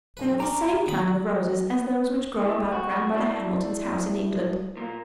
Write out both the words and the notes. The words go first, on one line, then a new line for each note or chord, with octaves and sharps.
They are the same kind of roses as those which grow about Grandmother Hamilton's house in England.
B1 B4
C#4 D5 A#5
D#3 B5
A2
F#4
E4 D5 E5 G5 A5
A#2 A#3